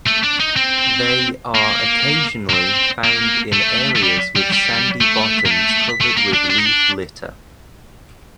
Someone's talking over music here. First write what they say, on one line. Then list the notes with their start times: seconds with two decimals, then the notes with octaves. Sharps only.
They are occasionally found in areas with sandy bottoms covered with leaf litter.
0.06 A3
0.23 D4
0.40 D#4
0.56 C4
1.55 A#3
2.50 A#3
2.54 C4
3.04 A#3
3.53 A3
3.95 A3
4.03 G3
4.36 G3
4.52 G3
5.01 A3
5.46 A#3
5.51 A3
6.00 A3
6.17 A#3
6.34 D4
6.50 D4
6.58 D#4
6.66 D4